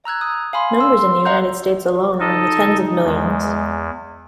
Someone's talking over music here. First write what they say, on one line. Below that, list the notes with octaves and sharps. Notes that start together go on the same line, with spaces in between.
Numbers in the United States alone are in the tens of millions.
A#5 E6 F#6 G#6
D#6
F5 G#5 B5 C6
C6 E6
C6
D#5 F5 F#5 A#5 F#6 G6
D#4 A4 D#5
E2 G#3